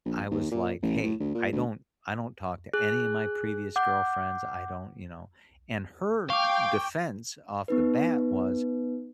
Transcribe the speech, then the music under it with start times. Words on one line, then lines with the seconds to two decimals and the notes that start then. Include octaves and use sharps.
I was like, "Hey, I don't I don't talk to any of my previous girlfriends, I don't you know," and her defense off the bat was,
0.05 A#1
0.31 D#2
0.51 A#2
0.82 A1
1.03 A2
1.20 D2
1.34 A#2
1.52 D2
2.73 G#4 F#6
3.76 F#5 D6 G6
6.30 F5 G5 C#6 D6
7.68 B3 D#4 B4